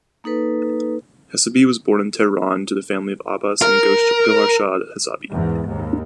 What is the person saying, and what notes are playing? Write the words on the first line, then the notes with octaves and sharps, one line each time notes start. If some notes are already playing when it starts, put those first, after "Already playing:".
Hessaby was born in Tehran to the family of Abbas and Goharshad Hessabi.
A#3 D#4 A4 B4
A#4
E2 G#2
D#2